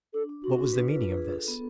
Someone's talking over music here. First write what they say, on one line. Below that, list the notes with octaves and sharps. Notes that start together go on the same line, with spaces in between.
What was the meaning of this?
D4 A4
D4
D4 F#4
D4
B4
F4
B4
G#4
A4
B3